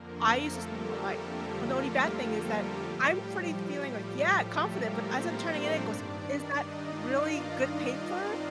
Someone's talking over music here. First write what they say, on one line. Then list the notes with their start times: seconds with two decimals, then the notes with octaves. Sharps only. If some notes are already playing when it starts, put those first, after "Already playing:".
I used to sleep all night. And the only bad thing is that I'm pretty feeling like Yeah, confident. But, as I'm turning it in, goes, "Is that really good paper?"
Already playing: F2 D3 F3 A#3 A#4
0.24 A3 A4
0.61 G3 G4
1.35 F3 F4
1.72 F3 F4
2.09 F3 F4
2.46 G3 G4
2.83 A2 F3
4.31 A3 A4
4.68 A#3 A#4
5.05 C4 C5
5.42 D4 D5
5.79 G2 D#3
6.53 D#4 D#5
6.90 F4 F5
7.27 D#4 D#5
7.64 D4 D5
8.01 C4 C5